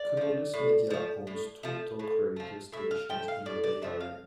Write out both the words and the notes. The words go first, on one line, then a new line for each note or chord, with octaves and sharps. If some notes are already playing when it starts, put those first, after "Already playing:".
Cumulus Media owns two talk radio stations in the Bay Area.
Already playing: D5
F3 A3
A2
F3 A3
A2
F3 A3
A2
F3 A3
A2 E5
F5
F3 A3 G5
F5
A2 D5
D5
F3 A3 E5
F5